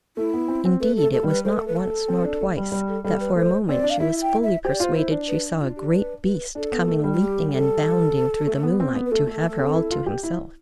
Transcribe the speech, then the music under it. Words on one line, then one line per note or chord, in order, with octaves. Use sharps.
Indeed, it was not once nor twice that for a moment she was fully persuaded she saw a great beast coming leaping and bounding through the moonlight to have her all to himself.
A3 E4
B3
C4
C4
A3 B4
A4
A3
A4
G3
B4
A3 C5
B4
A4
B4
A4
C4
D4
A3
G3
G3
A4
G3 A4
B4
A3 C5
C4 D5
D4
F5
E4 E5
G5
E5
G4 C5
D5
F4 C5
E4
D4
B4
F4
G4
B4
B4
D4 A4
B3
A3
G3
F4
G4
A4
A3
B3
C4
B3
B4
A3 A4
A3
A3
C4
E4
F4
G4
E4